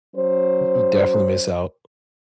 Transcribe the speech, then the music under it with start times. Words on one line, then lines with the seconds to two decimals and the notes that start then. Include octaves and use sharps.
Y you definitely miss out.
0.16 F#3 C#4 C5